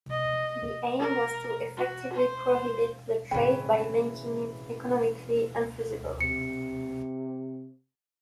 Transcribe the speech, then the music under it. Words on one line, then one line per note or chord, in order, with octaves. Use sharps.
The aim was to effectively prohibit the trade by making it economically unfeasible.
D#5
A#4
F#4
C5
A2 C#3 E3 C4 C5 G5 B5
C3 C#7